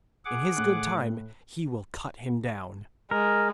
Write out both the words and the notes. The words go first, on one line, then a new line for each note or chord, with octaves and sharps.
In His good time He will cut him down.'
G#4 F#5 D6
A2 F#6
G#3 A#4